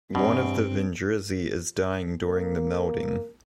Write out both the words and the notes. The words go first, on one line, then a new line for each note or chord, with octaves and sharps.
One of the Vindrizi is dying during the melding.
E2 G2 B2 C4
A#3